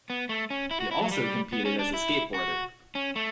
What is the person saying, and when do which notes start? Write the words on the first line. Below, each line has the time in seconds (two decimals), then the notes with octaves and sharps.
He also competed as a skateboarder.
0.10 B3
0.29 A3
0.50 C#4
0.71 E4
0.80 F#4
0.91 E4
1.01 F#3
1.11 G3
1.52 B3
1.65 C#4
1.79 D4
1.94 E4
2.34 F#4
2.95 C#4
3.16 A3